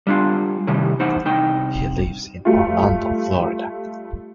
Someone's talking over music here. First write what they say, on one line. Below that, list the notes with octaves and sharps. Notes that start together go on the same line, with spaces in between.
He lives in Orlando, Florida.
G3 D4 F4
A2 C3 D#3 G3
E2 D#4 C5 F#5
C2 D#4 G5
G3 A3 F4